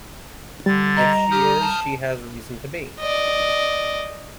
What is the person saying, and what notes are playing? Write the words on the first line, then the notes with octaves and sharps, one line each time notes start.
If she is, she has reason to be.
D3 G3 A6
D#5 A#5
G4 D#6 F6 G6
A5
D5 D#5